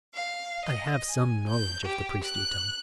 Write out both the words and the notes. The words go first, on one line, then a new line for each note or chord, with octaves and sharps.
"I have some knowledge of the priestly tongue."
F5
D#5
G#5
G6
G4
F#6